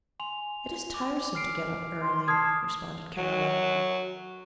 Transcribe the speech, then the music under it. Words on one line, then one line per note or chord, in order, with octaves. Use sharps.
"It is tiresome to get up early," responded Caroline.
G#5 C6 F7
D6
F6 C7 D7
C6
A5 D#6 F6 G#6 C7
F#3